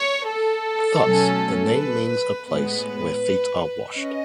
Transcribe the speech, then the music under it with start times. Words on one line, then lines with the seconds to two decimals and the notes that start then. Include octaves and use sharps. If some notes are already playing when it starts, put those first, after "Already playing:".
Thus the name means A place where feet are washed.
Already playing: C#5
0.28 A4
1.02 B2 F#3 A3 C#4
1.75 B4
2.48 A2 G#3 B3 B4
3.95 C#4 D#5